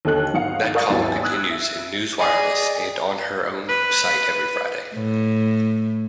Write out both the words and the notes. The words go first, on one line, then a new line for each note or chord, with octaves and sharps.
That column continues in "NewsWireless" and on her own site every Friday.
D#2 D3 A4 D#5 F#6 F#7
G#1 D#4 F5 F#5 C#7
A#4 D5 F5 C#6 D#6
G#1 D#2 F#3 E4 G#5 A6
D#6 E6 F#6 G#6
E5
G#4 D5 D#5 G#5
B4
A2